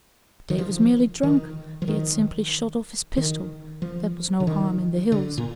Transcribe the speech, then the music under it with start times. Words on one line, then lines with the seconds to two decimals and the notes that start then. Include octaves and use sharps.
Dave was merely drunk, he had simply shot off his pistol--that was no harm in the hills.
0.50 D#3
0.58 F3
1.23 D#3
1.82 F3
1.88 D#3
3.17 D#3
3.82 F3
4.40 D3
4.47 D#3
5.12 D3
5.38 A#2